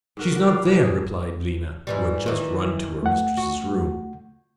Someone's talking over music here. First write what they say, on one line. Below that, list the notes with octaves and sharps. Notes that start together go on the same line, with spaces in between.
"She is not there!" replied Lina, who had just run to her mistress' room.
G#2 F#4 A#4
A#3 F#4
B4 D5 F5
C3 E3 F3 A#3
G#4
G#2 E3 G3
D#3 E3
A3 F#5
F#4